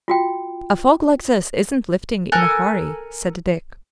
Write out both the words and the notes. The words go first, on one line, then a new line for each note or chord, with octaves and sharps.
"A fog like this isn't lifting in a hurry," said Dick.
F4 F#4 G5
A4 A#4 G#5 F#6